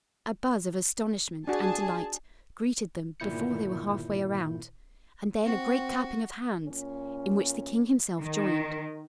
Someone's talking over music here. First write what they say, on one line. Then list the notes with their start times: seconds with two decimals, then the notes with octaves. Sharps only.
A buzz of astonishment and delight greeted them before they were half way around, and then a great clapping of hands, in which the king himself joined.
1.47 D4 F#4 G#4 A5
3.20 G1 A#2 D#3 E4 G6 C#7
5.46 C4 F#4
6.66 A#2 C#4
8.21 D#3